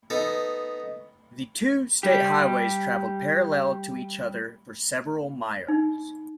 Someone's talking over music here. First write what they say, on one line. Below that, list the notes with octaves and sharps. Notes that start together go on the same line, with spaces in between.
The two state highways traveled parallel to each other for several miles.
B3 D#4 A4
G3 G4
D#4